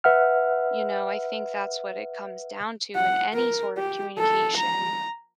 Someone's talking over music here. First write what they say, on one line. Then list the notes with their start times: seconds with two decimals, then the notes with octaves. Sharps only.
you know, I think that's what it comes down to in any sort of communication,
0.04 B4 E5 F#5 F6
2.96 F#5
3.34 A#4
3.77 G4
4.18 A4
4.57 A#5